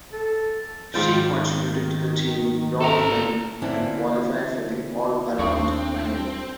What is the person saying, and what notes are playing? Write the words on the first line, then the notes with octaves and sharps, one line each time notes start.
She contributed to the team bronze medal and qualified for the all-around final.
A4
G#2 D#3 F4 G5
A4 A#5
D3 E3 C4 C#4 E4 D5
D#2 C4 D4 C#6